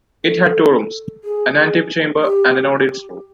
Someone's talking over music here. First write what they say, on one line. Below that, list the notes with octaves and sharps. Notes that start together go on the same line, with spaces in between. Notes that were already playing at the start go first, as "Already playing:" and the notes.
It had two rooms: an antechamber and an audience room.
A4
G#4
G4